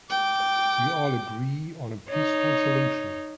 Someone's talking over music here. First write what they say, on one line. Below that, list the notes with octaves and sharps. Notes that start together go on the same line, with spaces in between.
We all agree on a peaceful solution.
G5 D6
D#4 C#5